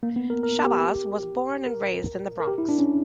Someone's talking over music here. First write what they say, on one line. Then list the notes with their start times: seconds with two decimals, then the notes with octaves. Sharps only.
Shabazz was born and raised in The Bronx.
0.03 A#3
0.16 B3
0.30 A#4
0.43 A#4
0.64 G4
1.67 A#4
2.40 A#4
2.47 G4
2.58 E4
2.69 D4
2.79 C#4